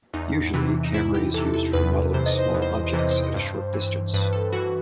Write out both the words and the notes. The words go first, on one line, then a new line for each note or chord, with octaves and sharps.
Usually, camera is used for modeling small objects at a short distance.
E2 D#4
C3 E3
D#4
E2 E4
G4
C3 E3 A4
A4
E2 B4
C3 E3 C5
D#5
C5
E2 D#5
C5
D#5
C5
C3 E3
D#5
C5
D#5
G2 C5
E3
G2 B4
A4
E3 F#4